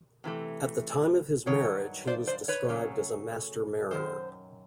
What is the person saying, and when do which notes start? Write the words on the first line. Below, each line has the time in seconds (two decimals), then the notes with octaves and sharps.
At the time of his marriage he was described as a master mariner.
0.24 C3 E3 A3
1.46 G2 D#3 F#3 C#5
2.07 C5 D5
2.27 C5 D5
2.48 B4 C#5
2.69 F#2 C#3 F#3 A3
3.91 F#2 D#3 C5